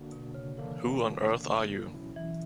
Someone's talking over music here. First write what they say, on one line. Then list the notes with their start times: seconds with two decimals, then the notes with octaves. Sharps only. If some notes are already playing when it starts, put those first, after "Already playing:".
Who on earth are you?
Already playing: D3 A#3 D4 F#4
0.12 B2
0.34 C#3
0.57 D3 E3 A#3 D4
1.94 B2 F#3 C#4 E4
2.16 E3